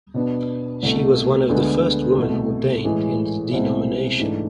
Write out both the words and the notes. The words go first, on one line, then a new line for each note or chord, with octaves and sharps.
She was one of the first women ordained in the denomination.
B2 B3 D4
C2 B2 A3
D2 D3 G#3 B3
C2 B2 A3
A2 E3 G#3
C2 B2 G#3 C4 E4
G#2 E3 A3 D4